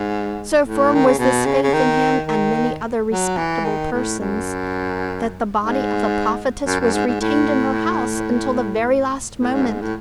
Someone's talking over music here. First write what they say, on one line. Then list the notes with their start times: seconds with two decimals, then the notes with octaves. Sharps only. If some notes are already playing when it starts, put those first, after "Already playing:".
So firm was this faith in him and many other respectable persons, that the body of the Prophetess was retained in her house until the very last moment.
Already playing: G#2
0.64 A2
0.94 D#3
1.06 C#3
1.18 B2
1.45 C#3
1.63 C#3
1.73 D#3
2.28 D#3
3.10 F#3
3.37 E3
3.64 D#3
3.92 A2
4.20 F#2
5.57 G#2
6.66 F#2
6.80 F#2
6.93 G#2
7.07 G#2
7.20 A2
9.40 A2
9.53 G#2
9.62 F#2
9.67 G#2
9.81 A2